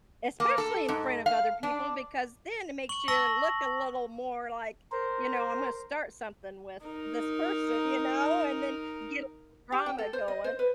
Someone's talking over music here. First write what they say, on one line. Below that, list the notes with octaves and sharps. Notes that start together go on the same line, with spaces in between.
Especially in front of other people because then it makes you look a little more like, you know, "I'm gonna start something with this person," you know, and then get a little drama going.
A#3
A4
G#2
F5
D4
C#6 F#7
A5 C#6 E6 A#6
A#4 C5
D#4 A#4
G4
G5
A4
C5
D#5
C5
B4